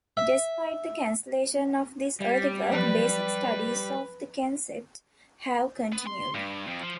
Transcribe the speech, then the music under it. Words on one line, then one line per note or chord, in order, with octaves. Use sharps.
Despite the cancellation of this early work, basic studies of the concept have continued.
E5
G3
F3 F#3 B3 B4
B3
C6
G2
F2
F3